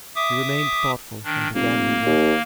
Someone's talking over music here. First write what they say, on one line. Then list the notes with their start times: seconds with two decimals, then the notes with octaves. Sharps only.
She remained thoughtful, and began her work.
0.15 E5 D6 D#6
1.24 D#3 D4
1.54 F1 A#3
2.06 D#2